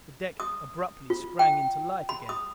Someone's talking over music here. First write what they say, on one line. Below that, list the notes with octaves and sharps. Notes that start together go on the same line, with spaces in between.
The deck abruptly sprang into light again.
D#6
F4
G5
B5
D#6